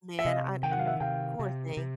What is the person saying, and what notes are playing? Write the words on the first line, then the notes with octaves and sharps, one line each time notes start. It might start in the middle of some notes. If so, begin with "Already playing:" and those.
man, I, m poor thing,
E5
C3 D#5 F5
D#3 G5
F#5
F5
E5 F#5
C3 F5 G5
C3
C3